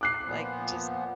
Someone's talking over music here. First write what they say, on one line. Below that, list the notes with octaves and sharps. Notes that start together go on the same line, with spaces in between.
like, just
D6 F#6 C7
A#2 F3 B3